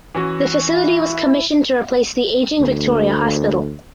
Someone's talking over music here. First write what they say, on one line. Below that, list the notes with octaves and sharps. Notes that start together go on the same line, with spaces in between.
The facility was commissioned to replace the aging Victoria Hospital.
E3 C#4 F#4
E4
D2